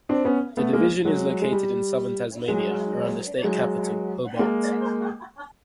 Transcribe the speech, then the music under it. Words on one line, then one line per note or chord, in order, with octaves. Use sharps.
The division is located in southern Tasmania around the state capital, Hobart.
C4 D4
B3 C#4
A3 B3
G#3 A#3
F#3 G#3
G#3
G3
F#3 G#3
F#3 G#3
G#3 A#3